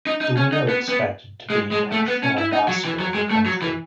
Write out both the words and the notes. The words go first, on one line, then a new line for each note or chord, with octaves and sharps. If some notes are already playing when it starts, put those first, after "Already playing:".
The winner expected to be national ambassador of her country.
D#4
D#4
C#4
D#4
B3
B3
G#3
G#3
A3
B3
C#4
E4
D#4
F#3
E3
F#3
G#3
A3
F#3
E3